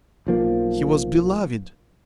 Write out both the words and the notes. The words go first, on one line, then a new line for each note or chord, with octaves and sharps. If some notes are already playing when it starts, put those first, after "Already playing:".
He was beloved.
B1 F3 A#3